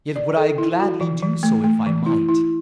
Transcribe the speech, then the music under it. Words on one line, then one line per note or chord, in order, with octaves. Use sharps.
Yet would I gladly do so, if I might.
D5
A4
E4
F#4
E3
E3
A3
A3
E3
E4
E4